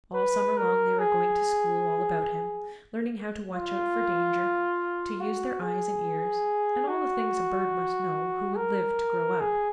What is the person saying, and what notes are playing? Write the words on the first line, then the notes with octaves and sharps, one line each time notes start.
All summer long they were going to school all about him, learning how to watch out for danger, to use their eyes and ears, and all the things a bird must know who would live to grow up.
B4
A#4
G#4
F4
F#4
G#4
F#4
A#4
G#4